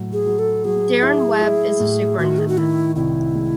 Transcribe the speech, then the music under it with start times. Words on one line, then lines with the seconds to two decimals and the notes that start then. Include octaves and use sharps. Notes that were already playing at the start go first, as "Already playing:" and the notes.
Darren Webb is the Superintendent.
Already playing: A2 F#3
0.13 G#4
0.26 F#3
0.39 A4
0.64 F#3 G#4
1.03 E4
1.41 E4
1.80 A2
2.18 D#3 F#4
2.38 G#4
2.48 F#4
2.57 D#3 E4
2.96 C2 E4
3.35 G#3